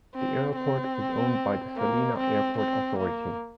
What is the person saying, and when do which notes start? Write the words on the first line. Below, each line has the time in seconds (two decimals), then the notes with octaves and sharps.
The airport is owned by the Salina Airport Authority.
0.15 C4
0.56 C4
1.77 A#3
2.18 C4
2.58 C4
2.98 A#3